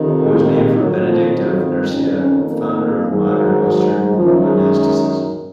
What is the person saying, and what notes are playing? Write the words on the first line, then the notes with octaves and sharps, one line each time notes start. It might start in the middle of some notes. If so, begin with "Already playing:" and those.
It was named for Benedict of Nursia, founder of modern western monasticism.
Already playing: F2 C3 D#3
G#3
G#3
F2 D#3 F#3
F3
F#3
C4
F2 D#3 C#4
C#4
A#3
G#2 D#3
F#3
F#3
G#3
F#2 D#3 F3
G#3